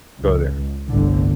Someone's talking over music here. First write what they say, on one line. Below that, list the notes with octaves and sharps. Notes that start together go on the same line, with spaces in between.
Go there.
C#2
G1 C2 A2 D3